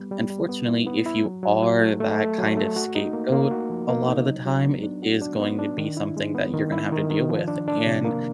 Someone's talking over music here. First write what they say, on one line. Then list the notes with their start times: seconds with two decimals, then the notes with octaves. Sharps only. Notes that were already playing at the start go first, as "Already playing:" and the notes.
unfortunately, if you are that kind of scapegoat a lot of the time, it is going to be something that you're gonna have to deal with, and
Already playing: G3 B3
0.11 G3
0.30 G3
0.49 B3
0.68 E4
0.86 B3
1.06 E4
1.25 F#3
1.43 F#3
1.62 F#3
1.81 A3
2.00 A3
2.20 A3
2.39 F#3
2.57 A3
2.76 F#4
2.95 D#4
3.13 A#3
3.32 A#3
3.51 F#4
3.70 F3
3.89 A#3
4.08 D#4
4.27 F#3
4.46 F#3
4.65 B3
4.83 D4
5.03 F#4
5.21 D4
5.40 B3
5.59 D4
5.78 D#3
5.97 E4
6.17 G#3
6.35 B3
6.53 D#3
6.72 E4
6.92 D#3
7.10 D#3
7.29 F3
7.48 D4
7.68 D4
7.86 C3
8.05 A#3